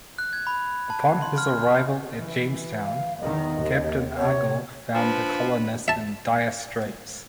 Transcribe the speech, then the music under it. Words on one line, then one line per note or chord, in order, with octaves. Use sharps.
Upon his arrival at Jamestown, Captain Argall found the colonists in dire straits.
F#6
G#6
B5
A5
C6
F6
F6
E3
F5
E2 D#3 D#5
D#2
C3 C#5
F3 D4 B4
E5 A5